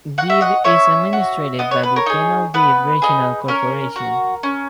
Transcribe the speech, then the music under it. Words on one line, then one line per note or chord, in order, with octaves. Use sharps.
Debe is administered by the Penal-Debe Regional Corporation.
F#4 F#5
E5
D#5 F#5
C#4 C#5 E5
F#4
B3 D#5
C#5
B4
A#4 C#5
D#4 G#4
B3 B4
D#4 G#4
C#4 A#4
F#4
C#4